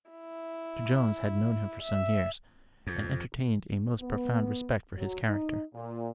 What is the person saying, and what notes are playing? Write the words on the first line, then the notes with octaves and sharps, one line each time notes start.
Mr. Jones had known him for some years, and entertained a most profound respect for his character.
E4
E5
F2
B3
F#3
D#4
A#2